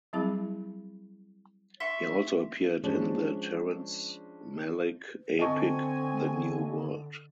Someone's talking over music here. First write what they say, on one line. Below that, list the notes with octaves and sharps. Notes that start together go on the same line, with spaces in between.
He also appeared in the Terrence Malick epic "The New World".
F#3 G3 C4 E4 G#4 B5
E5 C6 C#6
F3 G#3 C#4 D4
D3 C4 D#5 G#5 A5 C#6